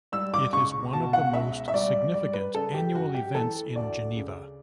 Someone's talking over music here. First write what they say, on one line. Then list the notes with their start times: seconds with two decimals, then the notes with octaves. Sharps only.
It is one of the most significant annual events in Geneva.
0.12 G3 E6
0.34 D6
0.53 C#2 C#6
0.93 B2 A5
1.13 F#5
1.33 C#2 E5
1.68 E5
1.73 G3 D5
2.14 G3 D5
2.34 B4
2.55 C#3 A4
2.74 G4
2.94 F#2 F#4
3.14 G4
3.35 E3 A4
3.76 D2 D5
4.15 C#3